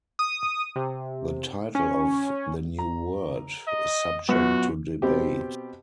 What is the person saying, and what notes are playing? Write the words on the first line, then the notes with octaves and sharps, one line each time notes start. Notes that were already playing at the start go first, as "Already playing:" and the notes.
The title of "The New Word" is subject to debate.
D#6
C3
C#4
A#5
D#5
F#2 A#2 B3 F#4
B2 C4 G4